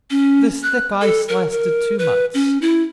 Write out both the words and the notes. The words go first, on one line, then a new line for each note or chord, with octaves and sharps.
This thick ice lasted two months.
C#4
F#6
A4
A#4
A#4
B4
C#4
E4